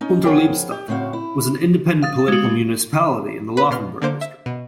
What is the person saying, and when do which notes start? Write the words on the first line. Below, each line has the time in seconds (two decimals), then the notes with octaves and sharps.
Unterleibstadt was an independent political municipality in the Laufenburg district.
0.01 C#4 D#4
0.25 F3 B3 G#4 A#4 C#5 G5
0.71 G4
0.88 A2 C#3 C4 F#4 F5
1.13 E4
2.03 F5 D#6 A6
2.28 G#3 F#4
3.57 B4 B5
3.71 B2 C6 F6
4.02 D3 A#3 C5 D6
4.21 E5
4.46 B2